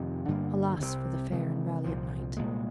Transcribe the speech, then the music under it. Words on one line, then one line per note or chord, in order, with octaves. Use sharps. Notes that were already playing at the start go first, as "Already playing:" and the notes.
Alas, for the fair and valiant knight!
Already playing: F2 C3 D#3
G2 D3 G3 A#3
C2 C3 G3 C4
C3 D#3 G#3
C2 A#2 F3
C2 A#2 G#3